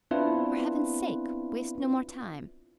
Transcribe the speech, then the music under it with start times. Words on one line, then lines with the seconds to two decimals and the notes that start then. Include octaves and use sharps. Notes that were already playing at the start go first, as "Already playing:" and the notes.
For heaven's sake, waste no more time.
0.11 B3 C4 D4 E4 F4 B4